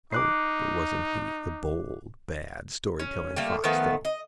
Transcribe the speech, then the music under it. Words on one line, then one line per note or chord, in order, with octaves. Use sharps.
Oh, but wasn't he the bold, bad story-telling fox, though?
D#4 D6 F#6 C7
C#4
G3 A3 A#3
D#3 F3 A3 B3
D#5